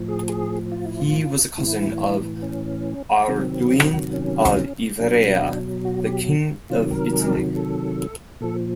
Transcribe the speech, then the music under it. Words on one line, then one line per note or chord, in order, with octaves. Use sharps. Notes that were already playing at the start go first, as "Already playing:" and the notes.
He was a cousin of Arduin of Ivrea, the King of Italy.
Already playing: A2 F3
G#4
G#4
F4
E4
F4
A2 E3 E4
C#4
C3 D#3 F#3 C4
C#4
B2 F#3 D4
F#4
G4
C3 D#3 F#3 F4
A#4
A4
A#2 F3 A4